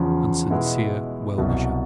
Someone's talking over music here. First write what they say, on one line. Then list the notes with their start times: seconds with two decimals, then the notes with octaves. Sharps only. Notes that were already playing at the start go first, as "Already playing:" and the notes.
And sincere well-wisher.
Already playing: E2 C#3 F3
0.50 B2 G#3 B3 E4
1.38 C2 B2 F#3